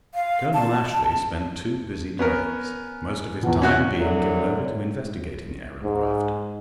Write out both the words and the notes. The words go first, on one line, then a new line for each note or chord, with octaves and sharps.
Colonel Ashley spent two busy days, most of his time being given over to investigating Aaron Grafton.
F5
A5
B3 C#4 A#4
E2 B2
C#4 F#4 F#6
F#2 A2 D3 F#3
G#2